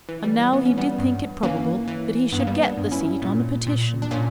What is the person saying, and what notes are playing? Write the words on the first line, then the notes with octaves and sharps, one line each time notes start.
And now he did think it probable that he should get the seat on a petition.
E3
G3
E3 B3
C#4
G3 B3
G2
E3 A#3 C#4
E3
G2 B3
A#3
G3 B3
B3 D4
G2
C#4 E4
A#2
A#2
D4
A#2 A#3 C#4